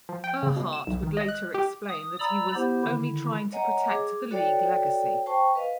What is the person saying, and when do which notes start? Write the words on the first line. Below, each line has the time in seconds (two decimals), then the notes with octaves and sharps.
Ehrhart would later explain that he was only "trying to protect the league legacy".
0.09 F3
0.24 G5
0.43 C#3
0.56 B2
0.73 E7
0.87 B1
1.03 D#3
1.17 D#5
1.28 F#6
1.54 G4
1.88 D#6
2.20 D5 A#5 B5 E6
2.55 B3 E4 G4 C5
2.84 D3 D#3 E4
3.52 C#5 D#5 F#5 G#5 A#5
3.88 G#4 D6
4.31 F#4 A4 C#5 D5 G5
5.26 C5 G5 A5 C#6
5.55 B4 D#5 F5